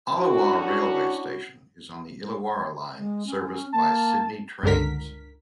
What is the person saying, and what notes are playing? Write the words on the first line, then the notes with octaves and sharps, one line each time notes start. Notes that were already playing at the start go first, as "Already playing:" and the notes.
Allawah railway station is on the Illawarra line serviced by Sydney Trains.
C#4 D4 E4 F#4
G#3
C#4
A#3 A5
G1 C#2 D3 A#4 B6